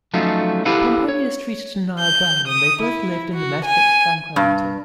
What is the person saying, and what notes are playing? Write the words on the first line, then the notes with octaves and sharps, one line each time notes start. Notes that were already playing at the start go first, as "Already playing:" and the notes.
Pomponius treated Annia well and they both lived in domestic tranquility.
F3 F#3 A3 C#4 D#4 F4
E4 G4 A4 B4 F5 F#5
C#5
G6
D#6
E4
F#4
G#5
G2